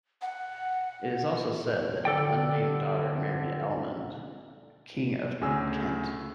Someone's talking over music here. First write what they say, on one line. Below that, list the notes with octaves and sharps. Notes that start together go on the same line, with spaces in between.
It is also said that an unnamed daughter married Ealhmund, King of Kent.
F#5
D3 A4 D5 G5
D2 C#3 G#5 E6